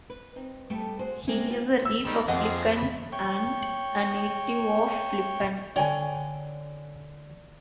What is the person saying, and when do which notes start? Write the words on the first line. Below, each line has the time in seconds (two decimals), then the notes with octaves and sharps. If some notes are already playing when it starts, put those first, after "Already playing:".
He is a Republican and a native of Flippin.
0.10 B4
0.36 C4 D#4
0.70 G3 A3 B3 G4 A4
0.99 F#4 G#4 C5
1.27 G#3 A#3 C4 C#4 E5
1.50 F4 G4 C5
1.85 E6
2.05 D#3 G3 G#3
2.28 F2 F3 C4 G#4 D#5 F#5
2.76 B5
3.12 C#5 G5
5.76 D3 C#5 G5 G#5